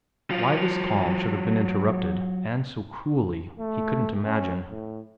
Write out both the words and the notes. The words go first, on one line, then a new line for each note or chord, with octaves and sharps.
Why this calm should have been interrupted, and so cruelly, he couldn't imagine.
F#3 F4
A3
C#4
A2